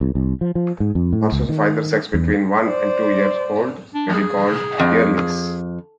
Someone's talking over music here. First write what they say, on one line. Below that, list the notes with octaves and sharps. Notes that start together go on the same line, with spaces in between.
Horses of either sex between one and two years old may be called yearlings.
C2
C2
F3
F3
G#2
F2
A2
C#2
D#3
E2
C5 D5
D4
G#4
F2